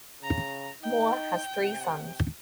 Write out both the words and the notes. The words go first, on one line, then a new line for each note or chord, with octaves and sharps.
Moore has three sons.
C#3 A#5
D#4 G5
C3